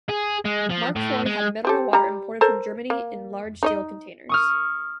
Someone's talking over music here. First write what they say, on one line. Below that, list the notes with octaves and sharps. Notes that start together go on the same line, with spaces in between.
Mark Foy had mineral water imported from Germany in large steel containers.
G#4
G#3
F3
A2
G#3
C4 G4 A4
G3 A#5
A4 A#4 C5
A#3
D#4 C#5 D#5
C#6 D#6 F6